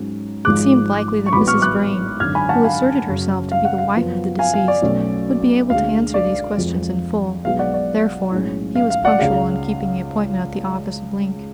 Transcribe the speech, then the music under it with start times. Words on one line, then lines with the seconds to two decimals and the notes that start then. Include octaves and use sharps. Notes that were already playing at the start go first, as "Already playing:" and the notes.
It seemed likely that Mrs. Vrain, who asserted herself to be the wife of the deceased, would be able to answer these questions in full; therefore, he was punctual in keeping the appointment at the office of Link.
Already playing: G#2 F#3 C#4
0.45 G#1 G#2 F3 G#3 D6 F#6
1.26 C#6
1.33 A1 G#2 F#3 B3 B5 D6
1.47 C#6 F6
1.62 D6 F#6
2.20 G#1 F#2 D3 F6 G#6
2.35 G#5 B5
2.49 F#5 A5
2.64 F5 G#5
3.08 F#1 F#2 C#3 F#3 C#4
3.52 F5
3.65 F#5
3.78 F5
3.95 F#2 F3 B3
4.39 F5 G#5
4.54 F5
4.68 D5
4.82 B1 B2 A3 C#4
5.70 D2 D3 G#3 F5
6.14 D5
6.58 F2 F3 G#3
7.45 B1 B2 G#3 B3 F5
7.59 D5 F#5
7.74 D5
8.32 B1 A2 G#3 C#4
8.76 F5
8.90 F5
9.05 D5 F#5
9.19 C#2 C#3 G#3 F5